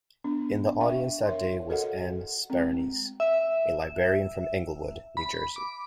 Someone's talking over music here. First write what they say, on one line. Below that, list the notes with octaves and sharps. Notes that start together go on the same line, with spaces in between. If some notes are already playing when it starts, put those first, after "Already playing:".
In the audience that day was Ann Sparanese, a librarian from Englewood, New Jersey.
B3 D4
E5 F5 G5 C#6
A#4 C#5 E5 F5 C6
F#4 A4 A#4 D#5 F5 F#5
G#3 A3 C4
E5
B5
D6